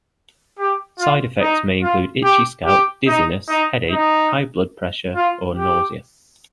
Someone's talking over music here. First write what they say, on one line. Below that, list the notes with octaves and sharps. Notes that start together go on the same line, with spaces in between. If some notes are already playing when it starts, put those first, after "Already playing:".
Side effects may include itchy scalp; dizziness, headache, high blood pressure or nausea.
G4
F4
D#4
F4
G4
G4
D#4
D#4
D#4
F4
G4